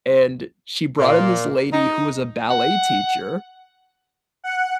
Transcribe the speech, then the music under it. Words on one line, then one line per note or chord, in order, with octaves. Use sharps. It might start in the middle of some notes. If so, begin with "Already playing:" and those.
and she brought in this lady who was a ballet teacher,
A#2
D#4
F#5
F#5